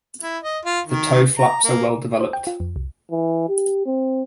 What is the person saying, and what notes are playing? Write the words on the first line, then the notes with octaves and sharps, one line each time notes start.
The toe flaps are well developed.
E4
D#5
F4
D#3
A#5
A#3
C5
G5
F4
F2
C2
E3
G4
C4